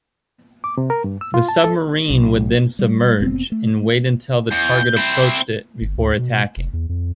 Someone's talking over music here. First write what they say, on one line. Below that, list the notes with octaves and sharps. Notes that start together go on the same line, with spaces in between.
The submarine would then submerge and wait until the target approached it before attacking.
D6
C3
A#4
G2
E6
F4
A5
A4
B1
G3
F1 B3 C4
A3
E2 G6
C4 E4
G1
D2
B2
F1
E2
F2